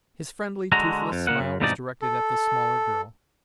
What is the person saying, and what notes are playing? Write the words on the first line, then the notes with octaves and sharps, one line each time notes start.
His friendly, toothless smile was directed at the smaller girl.
D3 G#3 F#4 A#5
F2
A#2 A#3 F#5
F#2
E2 G#2 C3 F3 D#4 D5
A4